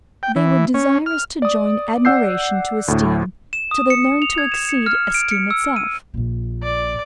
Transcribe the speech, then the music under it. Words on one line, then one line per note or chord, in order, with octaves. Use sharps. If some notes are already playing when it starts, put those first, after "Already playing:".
They were desirous to join admiration to esteem, 'till they learned to exceed esteem itself.
G5
E3
C#4
F6
D5 D#6
D5 F#5 E6 G6 C7
D2 A2
E7
D#6
C#7
F7
G#6
E7
C#7
F6
D7
C#7
E6
D#7
A#1 A#2
D5